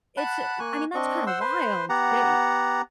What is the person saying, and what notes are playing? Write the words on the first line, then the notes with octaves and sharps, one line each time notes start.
it's i I mean, that's kinda wild, i
F#5 A5 B5 F#6
A#3 G#5 C#6 F#6
C4 D4 D#5 C#6
C5 F#5 C6 E6
B4 C5 C6
B3 G4 F#5 A#5